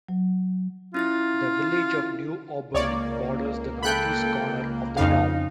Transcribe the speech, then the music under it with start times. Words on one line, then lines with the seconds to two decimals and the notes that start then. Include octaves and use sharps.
The village of New Auburn borders the northeast corner of the town.
0.08 F#3
0.94 C#4 E4 F4 A6
2.74 C#2 A#3 C#5 D5
3.83 A4 G5 B5 F#6 G6
4.97 F2 C#3 D#4 F5